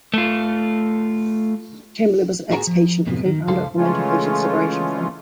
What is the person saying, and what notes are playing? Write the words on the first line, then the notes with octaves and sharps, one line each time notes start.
Chamberlin was an ex-patient and co-founder of the Mental Patients' Liberation Front.
A3 F4
A2 B3 F#4 G#4 A#5
F3
F#2 A2 C3 B3
D#3
C#2 G2 F4 A4 C5 F5
C#3 E3 G#3 A3 C#4 F4